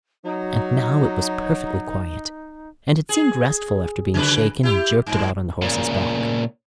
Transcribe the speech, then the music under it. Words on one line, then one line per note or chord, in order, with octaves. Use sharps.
And now it was perfectly quiet, and it seemed restful after being shaken and jerked about on the horse's back.
F#3 D#4
G#4
C#3 F#3 B4
E4 G4
G2 A#2
A#2 C#3